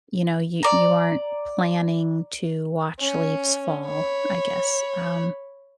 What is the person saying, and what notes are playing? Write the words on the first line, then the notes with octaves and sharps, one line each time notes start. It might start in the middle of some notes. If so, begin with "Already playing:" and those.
you know, you you aren't planning to watch leaves fall, I guess, um.
D5 A#5
C#4
C#5 B5